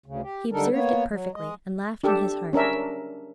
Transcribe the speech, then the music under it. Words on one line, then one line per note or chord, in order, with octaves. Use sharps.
He observed it perfectly, and laughed in his heart.
D2 C#3
G4
D3 G3 D4 D#4 A4 A#4
A#3 B3 C#5
F#3
G#3 D#5
D4 G4 A4
C#4 D4 A#4 E5